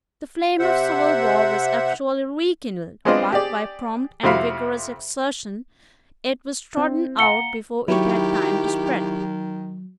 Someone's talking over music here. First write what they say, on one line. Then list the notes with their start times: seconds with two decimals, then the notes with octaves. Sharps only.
The flame of civil war was actually rekindled; but by prompt and vigorous exertion it was trodden out before it had time to spread.
0.59 C3 C5 E5 F#5
3.05 G#3 B3 C4 D4 F4 D#5
3.32 G4 G#4 D5
4.23 F2 C3 E4 F#4 F5 B5
6.74 C4 E4
7.19 F5 F#5 A#5 C#7 G7
7.88 D#3 F#3 E4 G4 C#6